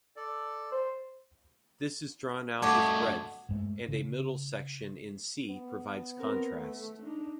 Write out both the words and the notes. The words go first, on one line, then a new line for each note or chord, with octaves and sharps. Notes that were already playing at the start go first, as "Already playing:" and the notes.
This is drawn out with breadth, and a middle section in C provides contrast.
A4 D5
C5
G2 B2 A3 F#5 A5 C#6 D6 G#6
G2 G#3 A3
C#3
B3
C4 A#4
A3
D4 D#4